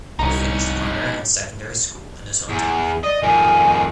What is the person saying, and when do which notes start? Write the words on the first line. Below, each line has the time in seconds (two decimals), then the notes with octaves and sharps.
He finished primary and secondary school in his hometown.
0.19 C2 C#4 D#4 A#5
2.49 E2
3.04 D5 D#5
3.23 F2 D#3 G#5